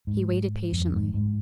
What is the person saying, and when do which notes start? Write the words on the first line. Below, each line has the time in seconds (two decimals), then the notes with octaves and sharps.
He waited patiently.
0.07 G#2
0.72 F2
0.93 G#2
1.14 G#2